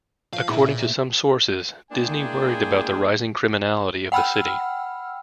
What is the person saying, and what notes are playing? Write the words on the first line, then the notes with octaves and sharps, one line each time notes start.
According to some sources, Disney worried about the rising criminality of the city.
F3 F5
A#2 C#3 A#3 B3 E4
G#3 A#3 D4 E4 G#4 G5
F#5 G5 B5 E6 F6